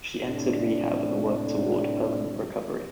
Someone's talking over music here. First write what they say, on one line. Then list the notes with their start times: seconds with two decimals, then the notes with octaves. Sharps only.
She entered rehab and worked toward permanent recovery.
0.24 A2 C3 D4